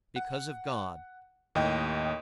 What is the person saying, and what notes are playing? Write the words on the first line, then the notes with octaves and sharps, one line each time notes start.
Because of God.
F#5
D#2 A2 D#5 G5